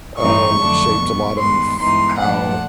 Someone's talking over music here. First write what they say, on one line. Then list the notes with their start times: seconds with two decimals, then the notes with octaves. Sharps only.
um, shaped a lot of how
0.19 G2 E3 A3 C4 D#4 C#6
0.59 F2 D3 F#3 A3 D4
0.99 B2 G3 B3
1.39 G2 D#3 G#3 B3 C6
1.79 G2 E3 G#3 B3 D#4 C6
2.19 A#2 F3 A3 D4 F#5